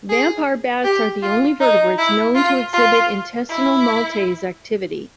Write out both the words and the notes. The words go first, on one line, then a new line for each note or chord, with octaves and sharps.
Vampire bats are the only vertebrates known to not exhibit intestinal maltase activity.
G#4
G4
F4
D#4
E4
F4
F4
E4